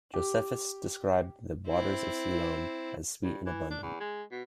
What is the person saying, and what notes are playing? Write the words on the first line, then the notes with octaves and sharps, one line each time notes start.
Josephus described the waters of Siloam as sweet and abundant.
G4
C4 E4
G2
E3
D4
E2
G#3
B2